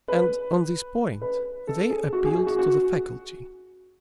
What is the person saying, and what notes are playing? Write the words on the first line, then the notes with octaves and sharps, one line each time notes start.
And on this point, they appealed to the Faculty.
B4
B4
A4
G#4
F#4
G#4
G#4
F#4
F#4